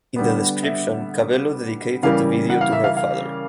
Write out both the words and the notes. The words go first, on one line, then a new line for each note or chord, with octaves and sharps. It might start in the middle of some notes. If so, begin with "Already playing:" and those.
In the description Cabello dedicated the video to her father.
D3 G3 B3
E5
C#3 E3 G3 A#3 F5
F#5
F5
E5
F5
F5